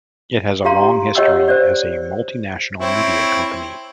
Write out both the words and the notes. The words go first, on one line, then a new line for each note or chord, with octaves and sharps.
It has a long history as a multinational media company.
G4 F5 A#5 C6
G4 C#5 D#5 F#5 G5 E6
C5 D5
C4 E4 C#5